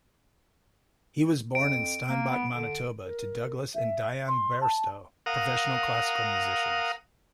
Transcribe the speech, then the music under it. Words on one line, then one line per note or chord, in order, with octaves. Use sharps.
He was born in Steinbach, Manitoba, to Douglas and Diane Bairstow, professional classical musicians.
F2 D7
A#3
B3
D3
A#4
E5
C6
A5
A#4 F5 F#5 D#6